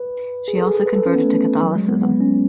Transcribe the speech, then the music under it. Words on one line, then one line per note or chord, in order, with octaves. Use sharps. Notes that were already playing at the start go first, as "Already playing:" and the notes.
She also converted to Catholicism.
Already playing: B4
G#4
A4
G#4
B4
A4
C#4
B3
A3
F#3
G#3
B3
B3
C#4